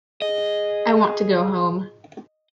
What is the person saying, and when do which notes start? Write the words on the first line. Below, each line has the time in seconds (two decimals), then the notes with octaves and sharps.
I want to go home.
0.22 G#4 D#5